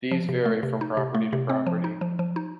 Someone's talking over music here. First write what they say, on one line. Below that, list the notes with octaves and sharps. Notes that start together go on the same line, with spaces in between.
These vary from property to property.
F3
C3
A3
C3
D#4
C3
A3
C3
C4
F3
D#4
F3
F3
D#4